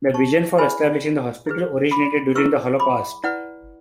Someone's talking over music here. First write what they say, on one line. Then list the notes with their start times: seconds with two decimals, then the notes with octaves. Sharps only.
The vision for establishing the hospital originated during the Holocaust.
0.14 A5 C#6
0.58 E4 G#4 B4 G#5 B5
1.47 E4 G#4 B4
1.91 B5 D6
2.35 E4 G#4 B4 C#6 E6
2.80 B5 D6
3.24 E4 B4 D5 F#5